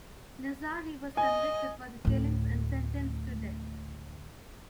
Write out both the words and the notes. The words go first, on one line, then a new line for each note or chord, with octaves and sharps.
Nazari was convicted for the killings and sentenced to death.
D#5 G#5
D2 A2